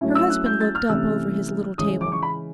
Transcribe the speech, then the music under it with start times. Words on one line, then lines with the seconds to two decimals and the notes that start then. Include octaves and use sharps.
Her husband looked up over his little table.
0.01 F#3 A3 C#4 E4
0.15 E6
0.30 F#6
0.46 G6
0.60 A6
0.75 F6
0.89 C3 E3 A3 C#4 E4 E6
1.78 C#3 E3 G#3 C#4 D#6
2.01 D6
2.12 C#6
2.22 B5